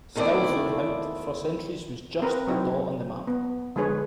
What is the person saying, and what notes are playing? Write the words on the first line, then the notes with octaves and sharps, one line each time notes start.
Still Voorhout, for centuries, was just a dot on the map.
E2 D#3 A3 C4 E4 D5
C4 A#4 B4
F#3 C4 D#4 E4
B3
D3 F3 G#3 G#4 B4 C#5